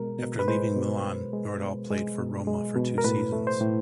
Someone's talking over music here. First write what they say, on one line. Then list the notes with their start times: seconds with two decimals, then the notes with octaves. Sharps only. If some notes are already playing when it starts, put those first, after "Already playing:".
After leaving Milan, Nordahl played for Roma for two seasons.
Already playing: B2 G#3 A#4
0.19 B2
0.39 B4
0.48 G#3 C5
0.76 B2
1.05 B2
1.33 G#3
1.62 B2
1.90 G#3
2.19 B2
2.47 G#3
2.76 B2
2.98 A#4
3.04 A2 B4
3.33 A3
3.47 C5
3.61 A2